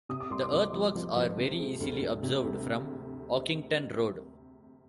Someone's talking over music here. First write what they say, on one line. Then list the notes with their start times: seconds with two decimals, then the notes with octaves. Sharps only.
The earthworks are very easily observed from Oakington Road.
0.09 C3 D#6
0.20 D6
0.30 C2 C6
0.43 D6
0.52 C2
0.73 F3
0.95 F3
1.16 F3
1.38 C3
1.59 G#3
1.80 D2
2.01 D2
2.23 C3
2.44 D2